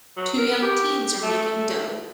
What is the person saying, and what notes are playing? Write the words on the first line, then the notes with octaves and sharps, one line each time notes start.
Two young teens are making dough.
F#3
A#4
G4
A3